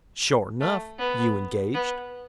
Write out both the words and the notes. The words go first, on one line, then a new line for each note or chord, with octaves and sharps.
"Sure enough, you engaged?"
A3
B3
B3